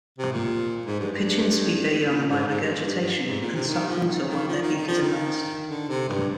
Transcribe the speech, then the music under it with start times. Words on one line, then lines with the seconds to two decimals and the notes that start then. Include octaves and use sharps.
Pigeons feed their young by regurgitation and suck water while their beak is immersed.
0.18 C3
0.32 A#2
0.86 G#2
1.00 G2
1.12 G2
2.06 A#2
2.27 G#2
2.47 G#2
2.60 G2
2.87 G2
3.00 G2
3.27 G#2
3.41 A#2
3.54 C3
3.67 D#3
3.87 F3
4.07 D#3
4.28 D#3
4.48 F3
4.62 D#3
4.75 D#3
4.88 F3
5.02 D#3
5.69 D3
5.89 C3
6.08 G2